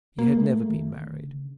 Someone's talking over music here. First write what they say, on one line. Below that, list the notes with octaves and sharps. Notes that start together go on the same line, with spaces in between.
He had never been married.
A#3
G#3
A3
D#3
D3
C#3